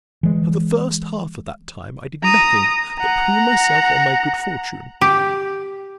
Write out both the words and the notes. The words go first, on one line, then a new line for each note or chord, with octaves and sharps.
For the first half of that time I did nothing but plume myself on my good fortune.
E3 G#3
A#5 D#6
F#5 A#5
G4